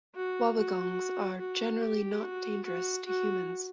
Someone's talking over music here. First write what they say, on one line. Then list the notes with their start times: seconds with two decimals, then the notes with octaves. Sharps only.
Wobbegongs are generally not dangerous to humans.
0.15 F#4
0.57 F#4
1.40 F#4
1.81 G4
2.23 F#4
2.65 F#4
3.06 F#4